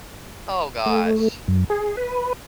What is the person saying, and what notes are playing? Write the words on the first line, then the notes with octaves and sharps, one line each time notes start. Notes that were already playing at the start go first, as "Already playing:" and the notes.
Oh, gosh.
A3
F#2
G#4
B4